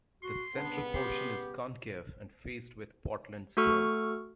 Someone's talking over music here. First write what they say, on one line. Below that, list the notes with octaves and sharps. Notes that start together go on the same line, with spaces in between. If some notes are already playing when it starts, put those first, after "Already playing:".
The central portion is concave and faced with Portland stone.
F#4 C6
C#3 G3 B3 D4
G4 C6
A3 F#4 A4 C#6 F6